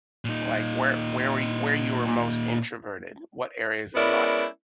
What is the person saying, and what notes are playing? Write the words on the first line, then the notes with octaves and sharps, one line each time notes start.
Like, whe where you where you were most introverted, what areas of life,
A#2 D#4
G#3 B3 C#4 E4 A#4 D5